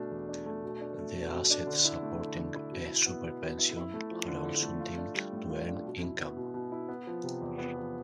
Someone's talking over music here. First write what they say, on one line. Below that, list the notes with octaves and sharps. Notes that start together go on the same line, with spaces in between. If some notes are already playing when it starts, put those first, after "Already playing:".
The assets supporting a "super pension" are also deemed to earn income.
Already playing: B2 A3 D4
E2
D4
A3
B2
D4
A3
B2
B2
D4
D3
E4
A3
D3
D3
E4
B2
E4
B3
B2
B2
E4
E4
A3
F3
D3
E4
A3
F4
D4
G3
A2
F4
D4
B2
E4
B3
B2
B2
E4
B3
F3
C3
E2
B3
F3